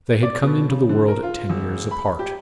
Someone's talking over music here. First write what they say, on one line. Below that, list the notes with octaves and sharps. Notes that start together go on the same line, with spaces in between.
They had come into the world ten years apart.
D5
B2
C#3
D3
A#4
F4
E1
B5
G4